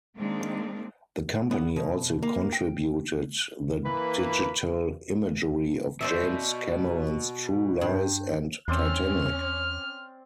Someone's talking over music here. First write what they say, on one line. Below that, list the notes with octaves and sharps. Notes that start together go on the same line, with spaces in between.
The company also contributed the digital imagery of James Cameron's "True Lies" and "Titanic".
D#3 G#3 A#3 C4 D4
B3
B2
A#3
G5
E3 A#3 B4 B5
B2 C5 D5 E5
G2
E2 C4 C#4 D5 C6 F6